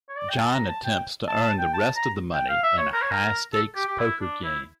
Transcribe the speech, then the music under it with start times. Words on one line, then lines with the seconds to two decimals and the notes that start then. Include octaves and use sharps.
John attempts to earn the rest of the money in a high-stakes poker game.
0.09 C#5
0.17 D5
0.30 G5
0.38 A5
0.54 A#5
0.69 A5
0.84 G5
1.28 A5
1.43 A5
1.59 G5
1.74 A5
1.96 A#5
2.33 G5
2.49 F5
2.63 E5
2.78 C#5
2.94 A#4
3.02 C#5
3.11 A#4
3.54 A4
3.76 G4
3.88 G4
3.99 E4
4.21 D4
4.44 E4